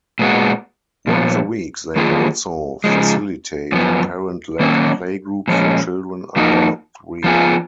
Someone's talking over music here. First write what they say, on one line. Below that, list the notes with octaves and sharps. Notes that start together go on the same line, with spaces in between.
Once a week they also facilitate a parent-led playgroup for children under three.
A#2 G#3 B3 F#4
A#2 F3 B3
F#2 D#3 A#3 F4 G#4
C#3 F3 G#3
F#2 F3 B3
D#3 F#3 A#3 C#4 F#4
A#2 F3 G#3 C#4
F3 A#3 D#4 F#4
F3 B3 F4 G#4